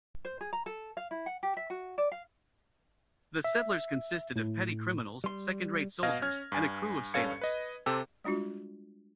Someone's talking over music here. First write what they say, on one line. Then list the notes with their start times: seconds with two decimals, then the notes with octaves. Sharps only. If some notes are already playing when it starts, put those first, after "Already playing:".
The settlers consisted of petty criminals, second-rate soldiers and a crew of sailors.
0.25 C5
0.41 G#4
0.53 A#5
0.66 A4
0.97 F5
1.11 E4
1.26 F#5
1.43 G4
1.57 E5
1.70 F#4
1.98 D5
2.12 F5
3.44 E5
4.36 A2
5.24 G3 C6
6.03 B2 D#5 F5 F6 G#6 A#6
6.22 C#4 F6 G#6
6.52 G2 G#5
7.14 G2 C#4 A4 F5 G#6 C#7
7.41 B4 D#5
7.86 C3 C4 G4 A4
8.24 G3 G#3 D4 F4 F#4